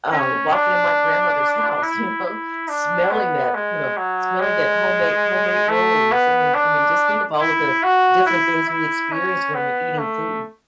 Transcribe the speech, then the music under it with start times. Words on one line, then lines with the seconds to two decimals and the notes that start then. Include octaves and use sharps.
um, walking in my grandmother's house, you know, smelling that, you know, smelling that homemade homemade rolls, I mean I mean just think about all the different things we experience when we're eating food.
0.11 C#4
0.53 D4
1.82 E4
2.25 E4
2.68 D4
3.11 B3
3.54 G#3
3.97 F#3
4.40 G#3
5.69 A3
6.12 B3
6.54 D4
7.40 E4
7.83 F#4
8.26 E4
8.69 E4
9.12 C#4
9.55 B3
9.98 A3